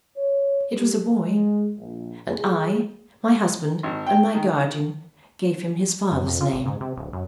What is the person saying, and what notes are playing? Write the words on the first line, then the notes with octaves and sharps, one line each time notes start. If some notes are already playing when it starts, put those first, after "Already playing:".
It was a boy; and I, my husband, and my guardian gave him his father's name.
C#5
G3
G#3
A#1
G#4
G#1
G5
D#3
F#2
F2
F4
G#1
G#2
C3
D1
F#2